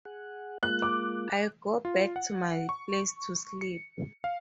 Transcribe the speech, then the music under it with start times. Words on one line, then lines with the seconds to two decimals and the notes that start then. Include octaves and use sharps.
I go back to my place to sleep.
0.05 G#4 F#5
0.63 G#3 A#3 F4 F#6
0.82 D6
1.85 F4
2.16 F#5
2.69 C#6
3.61 C#7
4.24 F5